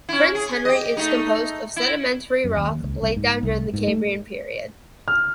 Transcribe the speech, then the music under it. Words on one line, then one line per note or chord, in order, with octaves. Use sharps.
Prince Henry is composed of sedimentary rock laid down during the Cambrian period.
C#4 E4
G#4
G4 D#5
A3 D#4
E4
F#2
D#2
C#2
C2
G#2
C2
G#2
A3
F6